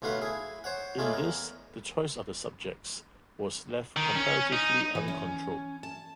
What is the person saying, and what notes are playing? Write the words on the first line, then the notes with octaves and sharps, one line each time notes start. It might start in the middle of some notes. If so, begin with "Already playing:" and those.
In this the choice of the subjects was left comparatively uncontrolled.
B1 A2 A3 F#4 B4 F5
E4 G#4
C5 C#5 F#5
G#3 A3 C#4 E4 F4 D5
E2 A#4
D#3
C#4
D#4
E3
C#4
A5